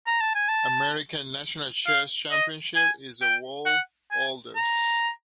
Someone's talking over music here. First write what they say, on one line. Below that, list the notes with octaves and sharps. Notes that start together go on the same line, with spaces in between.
America's national chess championship is the world's oldest.
A#5
A5
G#5
A5
F5
D#5
G#5
G5
F#5
G#5
A#5